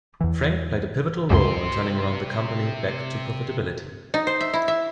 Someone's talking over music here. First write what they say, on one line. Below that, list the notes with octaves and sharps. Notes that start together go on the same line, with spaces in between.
Frank played a pivotal role in turning around the company back to profitability.
E2 E3
C#2 F#2 C3 C6
D#4
C5
E5
E4
E5